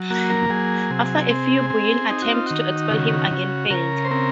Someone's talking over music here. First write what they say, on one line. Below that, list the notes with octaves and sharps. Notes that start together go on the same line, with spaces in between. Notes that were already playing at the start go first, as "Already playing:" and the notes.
After a few Buyid attempts to expel him again failed.
Already playing: F#3
A#3 F#4
A#4
F#3 G#4
C3
C4
C4
D#4 G#4
F#4
F4
D#3 F#4
C#3 F#4
C#3
C#3 A#4
C5
C4 A#4